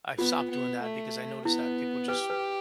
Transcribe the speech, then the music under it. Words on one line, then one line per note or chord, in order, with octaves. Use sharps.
I've stopped doing that because I noticed that people just
B3 F4
B3
A3
B3 E4
G4 B4
B4